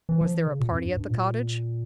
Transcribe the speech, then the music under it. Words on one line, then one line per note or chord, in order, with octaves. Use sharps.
"Was there a party at the cottage?"
E3
F3
E3
C#3
A#2
F2
G2
G2
A#2